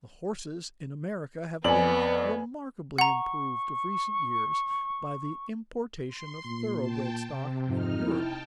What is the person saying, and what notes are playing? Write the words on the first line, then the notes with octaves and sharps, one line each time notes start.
The horses in America have been remarkably improved of recent years by the importation of thoroughbred stock from Europe.
F2 B3 D5 G#5 F#7
F#5 A#5 C#6
C6
A#2
G5 A5
C3
F2 G#2 D#4 F6
E4 G5 A5